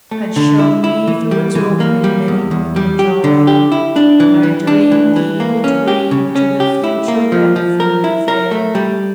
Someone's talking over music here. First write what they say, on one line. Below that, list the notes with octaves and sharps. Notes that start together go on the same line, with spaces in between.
Had shown me through its opening many moons Already, when I dreamed the evil dream Which of the future rent for me the veil.
A3
D3
E4
E4
E3
G3
E3
A#3
G3
E2
E2
G3
G4
D3
G4
E4
D4
E3
E3
D4
E3
E3
A#3
C#4
G4
C#3
C#4
G4
E4
A#3
F3
F3
A#4
E4
A#4
A3
G3